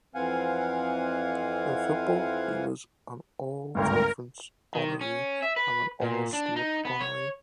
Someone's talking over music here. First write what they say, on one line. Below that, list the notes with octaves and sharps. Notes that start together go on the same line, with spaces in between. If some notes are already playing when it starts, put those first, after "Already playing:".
In football, he was an All-Conference honoree and an All-State honoree.
F2 E3 C4 F5 F#5 G#5
G#1 D2 G2 A#4
D#3
C#4
E5
B4
A#2
D4
D#4
B3
C#5